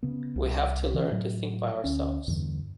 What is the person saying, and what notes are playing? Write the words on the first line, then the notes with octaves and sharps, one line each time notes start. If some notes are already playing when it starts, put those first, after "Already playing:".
We have to learn to think by ourselves.
C#3 B3
C2
C#3 E3
A2 F#3
D2 C#4
E2 G2 D3